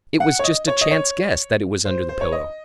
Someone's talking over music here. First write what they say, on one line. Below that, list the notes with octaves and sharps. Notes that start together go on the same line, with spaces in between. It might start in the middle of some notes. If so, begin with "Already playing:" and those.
It was just a chance guess that it was under the pillow.
F#5
C#5
D#5
C#5
D#5
C#5
C5
C5
C#5
D#5